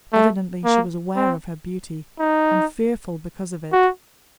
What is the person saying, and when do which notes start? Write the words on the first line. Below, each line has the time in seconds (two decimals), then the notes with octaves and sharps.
Evidently she was aware of her beauty and fearful because of it.
0.13 A3
0.64 A#3
1.16 C4
2.19 D#4
3.73 F#4